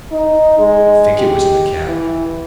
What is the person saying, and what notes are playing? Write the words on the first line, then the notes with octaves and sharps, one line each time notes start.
I think it was in the cap.
D#4
G#3
G4
E3